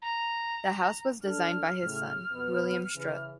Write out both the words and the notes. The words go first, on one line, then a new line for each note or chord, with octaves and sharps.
The house was designed by his son, William Strutt.
A#5
D4 A4 F6
A2 C#3
F2 B2 B3
C#3 E3